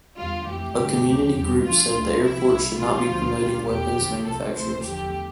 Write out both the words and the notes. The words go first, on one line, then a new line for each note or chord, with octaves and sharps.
A community group said the airport should not be promoting weapons manufacturers.
E2 D3 G3 F4
F2 E3 A3 G4
G2 D3 A3
D2 D3 F3 A3
E2 D3 G3
G2 D3 F3 F4
D2 D3 A3
C2 C3 F3 E4
C2 B2 G3
A2 E3 G3 F4
D2 D3 F3
D2 D3 G3
E2 B2 A3 G4
E2 D3 F3
C2 C3 F3 A4
D2 C3 E3 A3 C5
E2 D3 F3 A3 G4